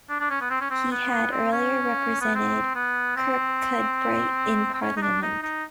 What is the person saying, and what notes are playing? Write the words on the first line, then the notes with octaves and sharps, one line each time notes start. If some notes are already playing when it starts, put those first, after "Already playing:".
He had earlier represented Kirkcudbright in Parliament.
D4
D4
C#4
B3
C4
C#4
C4
B3
B3
C4
C#4
B3
C4
B3
C4
C4
C#4
D#4
D4
D#4
D#4